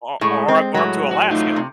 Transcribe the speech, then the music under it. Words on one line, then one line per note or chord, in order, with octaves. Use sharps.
Or or or or up to Alaska.
A2 G#3
C4
A2 F#3
F#4
A3 D#4 F4
C3